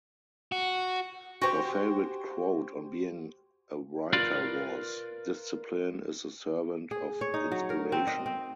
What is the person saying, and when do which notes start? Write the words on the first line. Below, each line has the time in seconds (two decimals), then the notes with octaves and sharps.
Her favorite quote on being a writer was: Discipline is the servant of inspiration.
0.52 F#4
1.41 F#4 G4 C5 G5 G#5
4.13 F4 A#4 B4 D5 F5
6.91 G#4
7.21 C#5
7.34 D#4
7.51 F#3
7.70 A#4
7.92 C4
8.07 D#5
8.26 C4